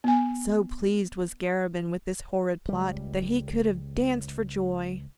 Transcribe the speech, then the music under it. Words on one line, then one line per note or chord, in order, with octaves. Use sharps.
So pleased was Garabin with this horrid plot, that he could have danced for joy.
B3 G#5
C#2 G3